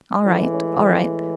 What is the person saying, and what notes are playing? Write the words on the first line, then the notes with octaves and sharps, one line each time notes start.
"All right, all right...."
A2 E3 G#3 C#4
C#4
C4